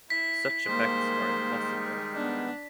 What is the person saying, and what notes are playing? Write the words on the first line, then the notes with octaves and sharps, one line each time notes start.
Such effects are impossible.
E4 B6
D#3 G3 G#3 A#3 C5
B3 D4